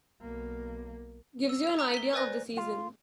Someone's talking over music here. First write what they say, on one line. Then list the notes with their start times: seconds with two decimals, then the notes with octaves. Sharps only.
Gives you an idea of the season.
0.21 B1 A#3
1.49 E6
1.63 E6 F7
1.79 A#5 D#6
1.94 B6 G7
2.13 B4 C5 D5 G#5 F#6 A#6
2.57 F4